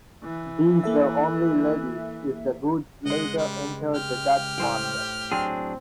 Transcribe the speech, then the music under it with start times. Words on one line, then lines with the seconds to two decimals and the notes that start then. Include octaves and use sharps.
These were only levied if the goods later entered the Dutch market.
0.24 E3
0.84 A#3 A4 E5
3.06 C#2 G#3 D#5 F#5
3.38 G3
3.94 G4 F6
4.58 A2 C5 G5
5.31 F#3 C4 D4 G#4